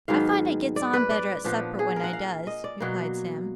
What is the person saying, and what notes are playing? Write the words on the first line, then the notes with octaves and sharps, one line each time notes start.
'I find I gets on better at supper when I does,' replied Sam.
G#2 D#3 F#3 B3 F5
D5
B4
D5
A#2 F3 B3 D4 B4
G#4
A#4
F#5
F5
D#5
D5
B2 F#3 A#3